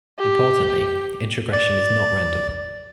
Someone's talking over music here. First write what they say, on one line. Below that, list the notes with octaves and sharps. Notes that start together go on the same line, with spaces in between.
Importantly, the introgression is not random.
G4
D5